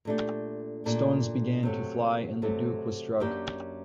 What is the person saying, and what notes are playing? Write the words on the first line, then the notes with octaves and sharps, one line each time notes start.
Stones began to fly and the Duke was struck.
A#2 A3 D4 G4
A#2 A3 D4 G4
C3 F#3 A3
C3 F#3 A3
F#2 F#3 A#3 D4 G4